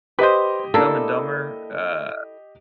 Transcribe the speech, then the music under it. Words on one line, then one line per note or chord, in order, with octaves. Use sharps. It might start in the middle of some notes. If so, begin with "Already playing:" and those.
Dumb and Dumber? Uh
G4 B4 C5 D#5
A#3 D4 E4 A4